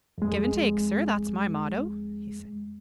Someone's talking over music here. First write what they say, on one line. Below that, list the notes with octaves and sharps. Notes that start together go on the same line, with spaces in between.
"Give an' take, sir; that's my motto," he said.
F2 G#3